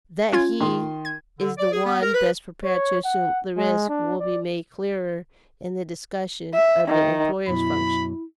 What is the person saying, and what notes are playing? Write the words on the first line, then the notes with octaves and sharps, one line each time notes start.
That he is the one best prepared to assume the risk will be made clearer in the discussion of the employer's function.
C#4 F4 G#6
D#3 C6 D#6
G#6
D3
D5
G#4
B3
A#4
B4
C#5
F#5
G#3
D4
D5
E5
D#3
F#2 B2 E4 B5